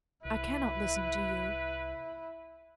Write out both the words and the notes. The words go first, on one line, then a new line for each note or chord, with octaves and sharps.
I cannot listen to you.
C2 E4 B4